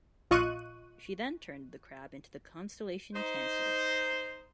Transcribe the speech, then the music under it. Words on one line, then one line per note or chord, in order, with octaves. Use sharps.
She then turned the crab into the constellation Cancer.
A#1 F4 D#5 C#6 F#6 D#7
D#4 C5